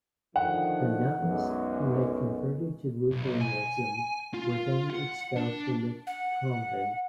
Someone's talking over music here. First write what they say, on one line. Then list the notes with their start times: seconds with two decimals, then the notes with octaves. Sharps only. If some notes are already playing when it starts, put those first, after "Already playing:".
The nuns, who had converted to Lutheranism, were then expelled from the convent.
0.36 D3 D#3 F3 F#5
1.19 B1 F#2 G#3
3.12 B1
3.41 G#5
4.34 F4
4.90 F#5
5.36 D4
6.07 F#5